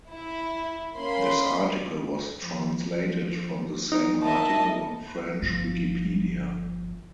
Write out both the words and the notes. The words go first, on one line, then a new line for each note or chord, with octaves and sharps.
This article was translated from the same article on French Wikipedia.
E4
A#3 C#4 B5 C6
F3
D#4
A#4 D#5 E5 A5
G1 F3